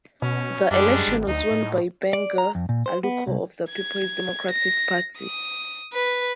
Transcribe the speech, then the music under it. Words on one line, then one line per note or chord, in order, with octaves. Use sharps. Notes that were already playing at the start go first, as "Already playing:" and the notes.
The election was won by Gbenga Aluko of the Peoples Democratic Party.
B2 C#4
F#2 G3 G#3 D4
G#1
D2 D#4
A2
D5
A#5
F2
A#2
C5
B3
C2
G#6
A#6
D#6
B4